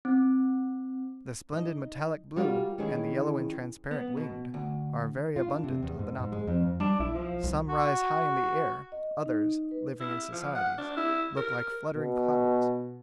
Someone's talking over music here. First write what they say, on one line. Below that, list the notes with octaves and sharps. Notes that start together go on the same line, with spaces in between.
The splendid metallic-blue, and the yellow and transparent-winged, are very abundant on the Napo; some rise high in the air; others, living in societies, look like fluttering clouds.
C4
D#4 D#5
G3 F4 F#4 A#4 D5
D#3 E3 C#4 E4 G#4
B3
B2
D2
F4
D4
C3
E2
G#2
G#2
G#3
F2
G3 D4
B1 E4
F3
C2
F#4
D#5
D#4
B4
E4
F3
F#5
D4
E4
A#4
B2